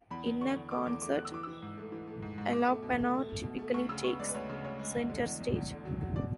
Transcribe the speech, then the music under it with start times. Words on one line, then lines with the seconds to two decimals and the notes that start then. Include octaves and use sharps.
In a concert, alapana typically takes center stage.
0.11 E2 B5
0.26 E2
0.41 D3 C#6
0.56 E2
0.71 A3 D6
0.87 E2 D6
1.02 A3 D6
1.17 E2 F#6
1.25 E6
1.32 E3 D6
1.43 E3 E6
1.62 G#2
1.77 A3
1.92 E3
2.07 A3
2.22 G#2
2.38 G#2
2.53 B2 D6
2.68 A3
2.83 B2
2.98 A3
3.14 A3
3.29 A3
3.44 B2
3.58 A3
3.74 D2 C#6
3.89 C#3 E6
4.04 B3 C#6
4.20 G#3 D5
4.29 B4
4.35 D2 C#5
4.49 C#3
4.64 D2 C#5
4.79 G#3
4.95 E2
5.10 D3
5.24 E2
5.40 E2
5.55 E2
5.71 D3
5.85 F#3
6.01 F#3
6.16 B2 D5